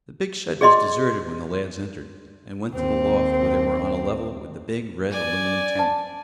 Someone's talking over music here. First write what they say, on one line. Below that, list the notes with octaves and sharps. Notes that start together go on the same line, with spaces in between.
The big shed was deserted when the lads entered, and went to the loft where they were on a level with the big, red aluminum tank.
G#4 D5 D#5 C6
D#2 C4
D5 G#5
A5